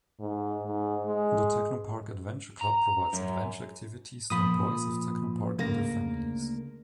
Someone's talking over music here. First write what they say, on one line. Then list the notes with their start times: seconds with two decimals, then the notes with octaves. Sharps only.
The Technopark Adventure Club provides adventure activities to employees of Technopark and their families.
0.20 G#2
0.63 G#2
1.06 G#3
2.61 A#5
3.13 F#2
4.30 A#2 F3 B5 D#6
5.59 D2 C#3 A#3 A#6